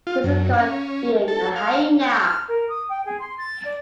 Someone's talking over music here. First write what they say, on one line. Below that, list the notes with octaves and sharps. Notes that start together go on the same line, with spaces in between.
This is called being a "hyena".
F4
F#2
C#4
A4
F5
G6
F6
A#4
D#6
G5
G#4
C6
A6
D5